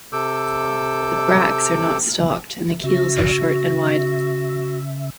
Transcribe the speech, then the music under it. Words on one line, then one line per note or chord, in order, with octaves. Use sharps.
The bracts are not stalked and the keels are short and wide.
C3 A4 D6 E6 G6
C#3 F#4 E5